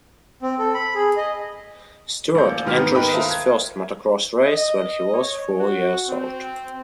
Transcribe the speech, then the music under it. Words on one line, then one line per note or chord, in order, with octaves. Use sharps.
Stewart entered his first motocross race when he was four years old.
C4
A4
B5
G#4
D#5
A1 A#3 G6
G#2 D#3 B3 G4 F6
A#4 B4 D#5 G5 B5 D#6
F4 A4 A#4 C5 E5 F5
G#6
D#5
C#5
F#4
C4